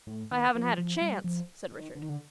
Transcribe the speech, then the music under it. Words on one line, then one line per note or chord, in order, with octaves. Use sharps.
"I haven't had a chance," said Richard.
A2
D#3
F3
F3
G3
F3
D#3
D3
D#3
D3